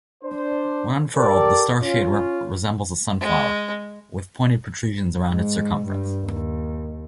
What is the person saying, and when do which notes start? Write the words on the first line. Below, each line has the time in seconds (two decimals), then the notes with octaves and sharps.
When unfurled, the starshade resembles a sunflower, with pointed protrusions around its circumference.
0.24 D4 C5
1.17 G4 A4 A#4 D5
1.81 C#4 F4
3.21 G#3
5.29 G#2
5.86 G2
6.23 D#2